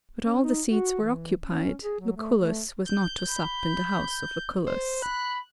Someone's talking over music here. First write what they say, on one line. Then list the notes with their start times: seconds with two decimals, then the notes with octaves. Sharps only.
But all the seats were occupied; Lucullus was not to sup in the house of Lucullus.
0.22 C#4
0.43 D#4
0.71 F#4
1.01 E3
1.43 C#4
1.82 G#4
1.99 F#3
2.16 A3
2.39 A3
2.86 G6
3.30 B5
4.67 C5
5.02 B5 F#6